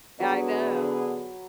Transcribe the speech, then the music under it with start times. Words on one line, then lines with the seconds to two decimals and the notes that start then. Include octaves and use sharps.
I know.
0.20 D3 F#3 B3 G#4 B4